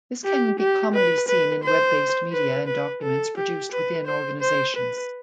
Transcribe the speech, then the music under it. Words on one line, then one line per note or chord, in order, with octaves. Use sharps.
This can be commonly seen in web-based media and documents produced within organisations.
G4
G4
B4
B4
C5
B4
B4
A4
G4
B4
C5
C5
B4